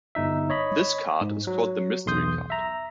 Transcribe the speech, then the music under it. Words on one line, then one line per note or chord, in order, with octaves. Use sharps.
This card is called the mystery card.
G1 D#4 E5
C#5 D#5 B5
G#2
F#3
B1 E2 C6 D#6 G6
E5 A#5